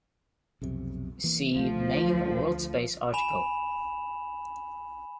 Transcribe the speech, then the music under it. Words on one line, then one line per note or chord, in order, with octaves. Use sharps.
See main WorldSpace article.
B1 F2 C3
E3 A#3
D2 F3 A3
G#5 B5 E7 F7